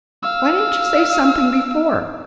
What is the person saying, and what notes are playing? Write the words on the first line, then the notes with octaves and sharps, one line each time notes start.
Why didn't you say something before?
F5 E6